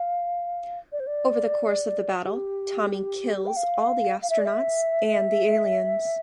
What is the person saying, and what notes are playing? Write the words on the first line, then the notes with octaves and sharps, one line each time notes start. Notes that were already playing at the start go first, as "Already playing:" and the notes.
Over the course of the battle, Tommy kills all the astronauts and the aliens.
Already playing: F5
D5
C5
D5
G4
G5
F5
F5
E5
D5
E5